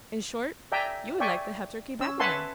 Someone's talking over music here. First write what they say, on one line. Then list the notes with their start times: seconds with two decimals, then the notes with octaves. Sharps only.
'In short, you would like the Heptarchy back again.
0.72 D5 E5 G5 G#5 A#5
1.20 D5 E5 G5 G#5 C#6
1.99 C#4 E6
2.20 B4 E5 F#5 G#5 A5 C6